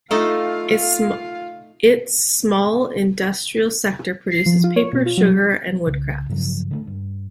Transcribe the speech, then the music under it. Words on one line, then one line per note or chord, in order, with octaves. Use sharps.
Its small industrial sector produces paper, sugar, and wood crafts.
A3 D#4 F4 A4 F5
C7
F3
F4
C#5
B2
F4
F#3
C2 C#3
G2 C#3 F3 F#3
D3 F#3 A3
G2